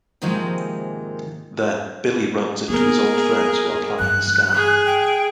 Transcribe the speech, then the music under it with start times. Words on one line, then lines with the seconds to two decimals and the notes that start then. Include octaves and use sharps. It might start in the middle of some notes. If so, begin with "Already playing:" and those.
Then, Billy runs into his old friends who are planning a scam.
0.22 G#2 C3 D#3 F3 G#3 A#3
2.68 A#3 B3 G#4 A#4
3.99 G2 E3 F#6
4.55 G#4
4.86 G5